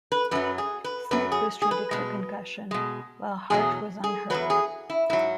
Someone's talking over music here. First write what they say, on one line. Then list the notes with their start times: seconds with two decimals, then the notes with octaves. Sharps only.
Smith was treated for concussion, while Hart was unhurt.
0.12 B4
0.31 F#2 F#3 B4
0.58 G#4
0.84 B4
1.11 F#2 F#3 B4
1.32 G#4
1.62 G#4
1.71 B4
1.91 B2 G#3
2.71 B2 G#3
3.50 E2 B2 F#3 G#4
4.04 G#4
4.30 E2 B2 F#3 B4
4.50 G#4
4.90 E4
5.10 G#2 F#3 E4